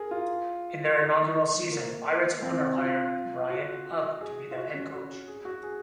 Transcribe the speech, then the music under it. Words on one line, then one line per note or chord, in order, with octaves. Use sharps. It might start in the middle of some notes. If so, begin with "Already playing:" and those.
In their inaugural season, Pirates owner hired Brian Hug to be the head coach.
Already playing: G#4 A#4
F4
D#4
A#3
C4
C4
F4
F#4
G#4
F4
F#4
C#4
F#4
G#4
F#4
G#4